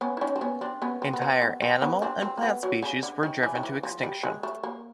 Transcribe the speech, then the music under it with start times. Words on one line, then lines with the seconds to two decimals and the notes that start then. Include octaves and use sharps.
Entire animal and plant species were driven to extinction.
0.01 B3 C#4
0.17 E4
0.21 C#4 D#4
0.36 C4
0.41 B3 C#4
0.61 C4 D4
0.82 B3 C#4
1.02 C4
1.13 B3
1.22 C4
1.42 B3
1.62 C4
1.82 B3 C#4
2.02 C4 D4
2.22 C4
2.37 A#3
2.42 B3
2.63 F#3
2.82 C#3
3.03 D3
3.23 D#3
3.43 E3
3.55 D#3
3.63 E3
3.83 F3
4.03 G3
4.23 G#3
4.43 A3
4.63 A#3